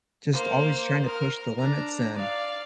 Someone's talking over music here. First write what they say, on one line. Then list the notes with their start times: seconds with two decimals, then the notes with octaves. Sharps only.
just always tryna push the limits and,
0.33 A#3 C5
1.06 A#4 F6
1.59 D4 A#5
2.15 D5 F5